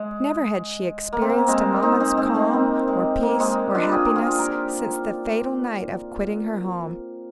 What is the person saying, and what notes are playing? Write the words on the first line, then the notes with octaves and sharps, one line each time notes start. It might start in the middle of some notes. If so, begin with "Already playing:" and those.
Never had she experienced a moment's calm, or peace, or happiness, since the fatal night of quitting her home.
Already playing: G#3
A#3
C4
A#3
G#3 C4
C4 D#4
C4 D#4
G#3 C4
G#3 C4
A#3
G#3
A#3
G#3 C4
D4 F4
F4 G#4
A#4
F4 G#4
G4 A#4